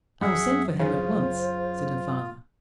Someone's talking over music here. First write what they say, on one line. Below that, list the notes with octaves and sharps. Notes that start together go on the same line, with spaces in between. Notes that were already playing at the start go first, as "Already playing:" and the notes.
"I will send for him at once," said her father.
F#2 G#4 E5 F#5
C#3 F4 C5